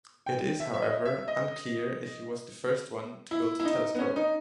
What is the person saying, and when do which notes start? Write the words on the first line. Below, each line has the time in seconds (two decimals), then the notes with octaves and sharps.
It is however unclear if he was the first one to build a telescope.
0.26 G5
0.60 E5
0.73 E5
0.82 D#5
1.05 E5
1.28 D#5
3.31 E4
3.60 E4
3.65 D#4
3.95 B3
3.99 C#4
4.16 D#4